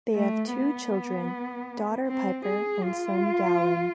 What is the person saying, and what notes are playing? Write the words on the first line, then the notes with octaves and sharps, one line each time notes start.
They have two children, daughter Pyper and son Galen.
A3
B3
C4
G#4
F4